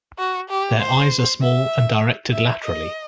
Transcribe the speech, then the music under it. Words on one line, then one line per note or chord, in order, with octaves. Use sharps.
Their eyes are small and directed laterally.
F#4
G4
C5
E5
E5
D#5